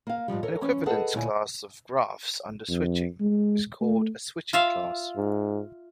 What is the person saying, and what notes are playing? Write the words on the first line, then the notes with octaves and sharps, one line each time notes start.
An equivalence class of graphs under switching is called a switching class.
A#3 F5
G#2 B2 F3 G3
A4 A#4 C#5
E3 C#4 C#5
G#4 A4 B4 D#5 F#5 A5
D2 A#2 E4 C#5 D5 G#5
F2
G#3
A3
F4 E5 F5
G#2